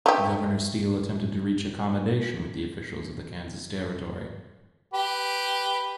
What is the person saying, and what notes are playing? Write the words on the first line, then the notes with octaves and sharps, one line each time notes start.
Governor Steele attempted to reach accommodation with the officials of the Kansas Territory.
A3 G4
G4 B4